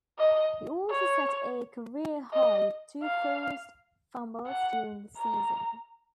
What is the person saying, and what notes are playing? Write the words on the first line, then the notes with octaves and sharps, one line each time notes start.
He also set a career-high with two forced fumbles during the season.
D#5
C#5
D#5
F5
F#5
A#5